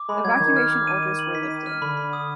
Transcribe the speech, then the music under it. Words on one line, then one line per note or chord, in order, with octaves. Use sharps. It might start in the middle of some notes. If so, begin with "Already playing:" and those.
Evacuation orders were lifted.
Already playing: D6
G#3 B5
F#3 G#6
D#3 G#6
F6
D6
D#7
D#7
F#7
B6
D#7
F6
D3 B5
B5
D#6